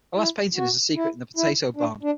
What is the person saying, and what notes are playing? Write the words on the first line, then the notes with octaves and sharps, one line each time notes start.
The last painting is the secret in the potato barn.
E4
F#4
E4
E4
D4
D4